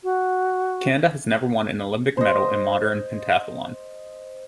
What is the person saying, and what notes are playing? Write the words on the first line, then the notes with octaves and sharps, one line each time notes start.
Canada has never won an Olympic medal in modern pentathlon.
F#4
C5 D#5